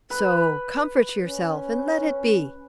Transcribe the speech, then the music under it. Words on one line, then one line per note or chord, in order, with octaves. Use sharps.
So comfort yourself, and let it be!
B4
C#4